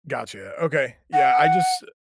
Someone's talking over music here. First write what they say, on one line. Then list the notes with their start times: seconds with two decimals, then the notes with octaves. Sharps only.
gotcha. Okay, yeah. I just
1.13 F#5